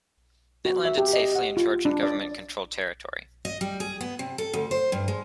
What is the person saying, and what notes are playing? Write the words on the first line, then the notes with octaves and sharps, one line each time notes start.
It landed safely in Georgian government-controlled territory.
F#4
E5
G4
D#5
F#5
F4
D4
D5
D#5
G3
G#4
B3
C3
A4
D2
C5
G2
G#3